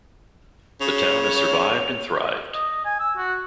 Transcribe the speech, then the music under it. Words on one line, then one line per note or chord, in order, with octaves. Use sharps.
The town has survived and thrived.
C#3 C#5 F7
D#5
G#5
E6
F#4